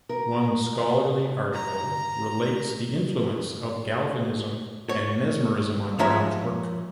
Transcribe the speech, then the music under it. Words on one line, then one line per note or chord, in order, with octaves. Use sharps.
One scholarly article relates the influence of Galvanism and Mesmerism on Brown's work.
A#4
A#5
C#5
F3 G#3 C#5 E5 A#5 C6